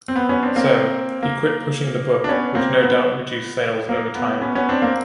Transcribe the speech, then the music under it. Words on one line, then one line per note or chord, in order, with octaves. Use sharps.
So, he quit pushing the book, which no doubt reduced sales over time.
C4
B3
B3 C#4
C4 D4
A#3 C4
A#3
D4
B3 C#4
A#3 C4
B3
A#3
B3
B3 C#4
B3 C#4
C4 D4
A#3 C4